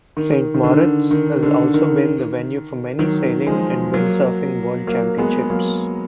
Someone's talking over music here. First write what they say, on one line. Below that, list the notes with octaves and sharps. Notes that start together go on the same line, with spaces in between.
Saint Moritz has also been the venue for many Sailing and Windsurfing World Championships.
D#3
D#3
D3
D#3
D3
D#3
D#3 F#3
F3 G#3
F#3 A#3
F#3 A#3
G#3 B3
F#3 A#3